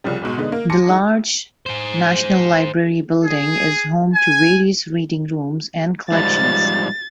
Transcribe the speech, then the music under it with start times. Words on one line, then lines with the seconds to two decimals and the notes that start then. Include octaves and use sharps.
The large National Library building is home to various reading rooms and collections.
0.04 C2 C#3 F3 G3
0.22 B1 G#2 B2
0.37 D3 G#3 B3 D#4
0.52 A#3
0.70 G#5 A5 C6 D6 A#6 C#7
0.87 E3 G#3 D#4
1.66 G#4 C5
3.24 G#4
4.14 G#5
6.12 G#2 F3 G3 A6